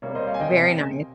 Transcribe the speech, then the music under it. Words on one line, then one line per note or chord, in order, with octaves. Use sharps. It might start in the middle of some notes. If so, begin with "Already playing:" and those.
very nice.
C3 G3 A#3 C#5
C5 D#5
C#5 F5
G#5
D#5 G5
C3